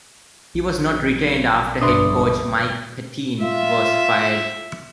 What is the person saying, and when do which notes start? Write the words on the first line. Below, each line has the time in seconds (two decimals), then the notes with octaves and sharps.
He was not retained after Head Coach Mike Pettine was fired.
0.54 A#1 F#3
1.81 G1 C#2 D4 B4 E5 C6 D#6
3.42 F4 E5